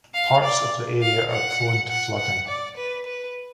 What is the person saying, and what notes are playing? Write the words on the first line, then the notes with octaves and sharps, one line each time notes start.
Parts of the area are prone to flooding.
F5
D5
F5
F#5
F#5
F#5
D5
B4
B4